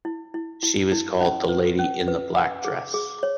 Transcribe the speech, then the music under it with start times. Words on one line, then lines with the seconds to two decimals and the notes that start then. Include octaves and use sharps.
She was called “The Lady in the Black Dress”.
0.05 E4
0.34 E4
0.63 E4
0.92 E4
1.21 C#4
1.49 B4
1.79 C#4
2.08 B4
2.36 F#5
2.65 G#4
2.94 G#4
3.23 C#5